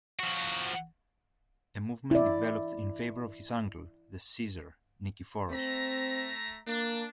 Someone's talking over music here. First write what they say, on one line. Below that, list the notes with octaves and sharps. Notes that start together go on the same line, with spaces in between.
A movement developed in favor of his uncle, the "Caesar" Nikephoros.
F3 F#4
E4 D5
A3 C4 E5 A#5
A#3 D4